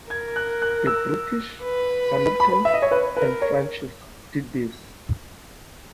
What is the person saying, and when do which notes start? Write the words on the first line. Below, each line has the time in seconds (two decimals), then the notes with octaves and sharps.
The British, Americans and French did this.
0.10 A#4 G#6
0.36 F#6
0.62 F#6
0.87 E6
1.63 B4
2.40 B5
2.65 E5
2.74 D#5
2.82 C#5
2.91 B4
3.16 A#4 B4
3.42 C#5